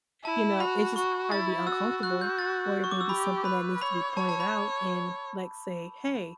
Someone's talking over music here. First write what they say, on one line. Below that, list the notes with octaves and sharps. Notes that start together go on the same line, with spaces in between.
you know? It's just probably uncomfortable, or it may be something that needs to be pointed out, in, like, say, "Hey,
E4 A5
F#4 B5
F#4 C#6
E4 A6
F#4 E6
F#4 F#6
G6
A6
C#6
D6
E6
G4 B5
B4 B5
C#5 B5
C#5 A5
A5
B5